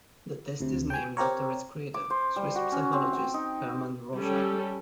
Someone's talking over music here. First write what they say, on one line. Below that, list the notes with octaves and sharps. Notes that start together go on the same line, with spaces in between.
The test is named after its creator, Swiss psychologist Hermann Rorschach.
D2 C3
G5 G#5
C4 G4 A#4 C#5
D6
C5
G3
F#4
C#4
C4
G5
D#4
G3 C#4 G4 A4